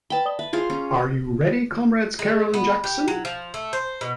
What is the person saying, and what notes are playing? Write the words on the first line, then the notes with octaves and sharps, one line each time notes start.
Are you ready, Comrades Carroll and Jackson?
B4 G5 A5 B5 G7
D5 D#6 G7
B4 E5
F4 G#4 C5
C#4 F4
G#3
B3
G4
F#3
F3
A3
C5
B2